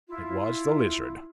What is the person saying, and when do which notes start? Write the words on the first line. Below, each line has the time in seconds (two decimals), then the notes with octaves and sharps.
It was the Lizard.
0.08 E4 F4